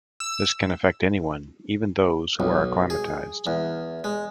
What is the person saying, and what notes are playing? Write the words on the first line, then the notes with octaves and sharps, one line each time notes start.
This can affect anyone, even those who are acclimatized.
E6
B1
G#4
E2
G#3